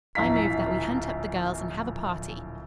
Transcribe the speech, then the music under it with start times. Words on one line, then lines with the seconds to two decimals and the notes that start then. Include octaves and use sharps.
I move that we hunt up the girls and have a party.
0.15 D1 A#1 E4 F5 A#5 B6